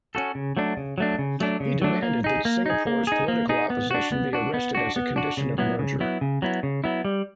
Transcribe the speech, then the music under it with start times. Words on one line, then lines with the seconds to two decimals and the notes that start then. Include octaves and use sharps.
He demanded that Singapore's political opposition be arrested as a condition of merger.
0.15 C#4 F#4 A4
0.35 C#3
0.57 F#3 A3 D4
0.77 C#3
0.98 F#3 A3 D4
1.19 C#3
1.40 F#3 A3 D4
1.60 C#3
1.82 F#3 A3 D4
2.03 A#3
2.24 D#4 G#4
2.45 A#3
2.66 D#4 G#4
2.87 A#3
3.07 D#4 G#4
3.28 A#3
3.49 D#4 G#4
3.70 B3
3.91 D4 F#4
4.12 B3
4.33 D4 F#4
4.54 B3
4.75 D4 F#4
4.96 B3
5.16 D4 F#4
5.37 C#3
5.58 F#3 B3 E4
5.79 C#3
6.00 F#3 B3 E4
6.21 C#3
6.42 F#3 B3 E4
6.63 C#3
6.84 F#3 B3 E4
7.05 G3